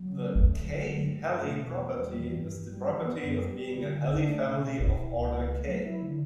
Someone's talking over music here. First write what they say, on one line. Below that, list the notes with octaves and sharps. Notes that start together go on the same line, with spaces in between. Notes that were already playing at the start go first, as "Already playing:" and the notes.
The "k"-Helly property is the property of being a Helly family of order "k".
Already playing: F#3
C#3
A3
D2
F#3
D3
G2
G2
A3
B2
E2
E2
G3
E3
G2
G2
G3
E3
B3
F#2
G3
G3
D3
D3
D4
A3
B2
B2
E4
B2
C#2
C#2
A3
F#3
E4
D3